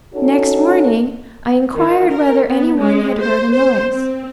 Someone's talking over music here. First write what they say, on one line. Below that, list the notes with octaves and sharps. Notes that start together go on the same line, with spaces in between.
Next morning I inquired whether any one had heard a noise.
C#4 D#4 F#4 A4 C#5
D#3
A#4
B3
G#3
C5
C5
C4